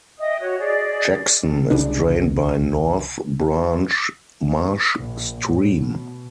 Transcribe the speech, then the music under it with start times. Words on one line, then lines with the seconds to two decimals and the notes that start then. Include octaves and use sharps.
Jackson is drained by North Branch Marsh Stream.
0.18 D#5 E5 G5 D#6
0.41 F#4 C#5 F#6
0.58 G#4 D5 D#5
1.71 C2 C#3 D4
4.95 A#1
5.41 A2
5.74 B2